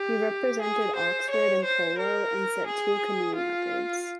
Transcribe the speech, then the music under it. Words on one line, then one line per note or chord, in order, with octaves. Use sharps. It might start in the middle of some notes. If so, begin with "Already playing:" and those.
He represented Oxford in polo and set two canoeing records.
Already playing: G4
G#4
C5
C#5
C5
A#4
G#4
F4